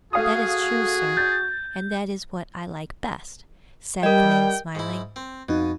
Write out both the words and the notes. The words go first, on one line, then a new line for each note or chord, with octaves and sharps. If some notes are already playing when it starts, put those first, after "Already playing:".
"That is true, sir, and that is what I like best," said the man, smiling.
A3 F#4 G#4 F5 D#6
G6 A6
G3 A#4 D#5 G5
G#2 E4
C4
F2 B2 D#4